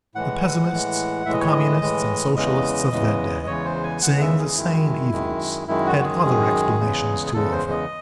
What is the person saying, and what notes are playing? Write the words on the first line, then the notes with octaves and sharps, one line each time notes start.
The pessimists--the communists, and socialists of that day--seeing the same evils, had other explanations to offer.
A2 E3 G#3 F#5
A2 E3 G#3
A2 E3 G#3 E5
D#5
C#5
D#5
A2 E3 G#3
E2 C#3 E3 G#3 D#5
E2 C#3 E3 G#3
E2 C#3 E3 G#3 C#5
C5
G#5
E2 C#3 E3 G#3 F#5
E5
G#4
F#2 D#3 G#3 E4
F#2 D#3 G#3
F#2 D#3 G#3 E4
F#4
F#4
G#4
F#2 D#3 G#3
E2 C#3 G#3
G#4
E2 C#3 G#3 A4
C5
D#5